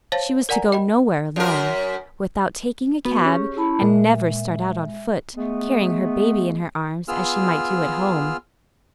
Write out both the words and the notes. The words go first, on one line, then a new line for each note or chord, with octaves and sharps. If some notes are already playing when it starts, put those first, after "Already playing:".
She was to go nowhere alone, without taking a cab, and never start out on foot, carrying her baby in her arms, as she might do at home.
C5 C#5 F5 A5 A6
A#4 D5 F#5 G#5 A#5
D#5 G5 B5
F#2 A#4
B3 F#4
C#4 G4 G#4
E4 A5 B5
A#2 G#3 E5
G#3 A3 B3
B3 F4 G#4 E6 F6